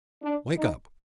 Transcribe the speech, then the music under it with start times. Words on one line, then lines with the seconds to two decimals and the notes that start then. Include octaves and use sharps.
Wake up!
0.23 D4
0.57 D#4